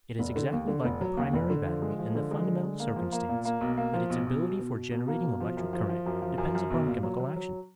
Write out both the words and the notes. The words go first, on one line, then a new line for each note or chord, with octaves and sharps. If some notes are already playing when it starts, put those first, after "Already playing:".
It is exactly like the primary battery in the fundamental circumstance that its ability for generating electric current depends upon chemical action.
F1
D3
D#2
D3
F1
F#3
D#2
F1
D3
F3
G#3
F3
D3
G#3
D3
G#3
A#3
F3
A#3
A#2
A#3
B1
A#3
F3
B1
B1
B2
B2
B2
B2
A#3
B2
F3
F#2
F3
F3
F#2
F3
F#2
F#2
B1
A#2
F#3
F#3
F#3